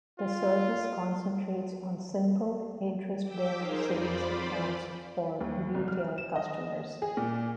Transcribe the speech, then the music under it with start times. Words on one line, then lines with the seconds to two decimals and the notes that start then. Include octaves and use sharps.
The service concentrates on simple interest-bearing savings accounts for retail customers.
0.19 F4
3.24 G5 D6 E6 G6 B6
3.54 D#4 G#4 A#4 C5
3.86 F2 F4 C5 D5 B5
5.41 D#2
5.74 C2
5.88 F6
6.18 E7
6.36 D#5
7.02 G#4
7.17 A#2